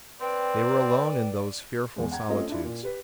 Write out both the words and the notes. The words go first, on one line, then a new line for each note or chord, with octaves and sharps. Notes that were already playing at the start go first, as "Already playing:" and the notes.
They were alone in those fearful solitudes.
C4 B4 D5 G5
E2 G#3
F#5 G5 A#5 G#6
A3 C4 C#4 F4 A4 D#5
D4 E4 F4
A#2
G4 B4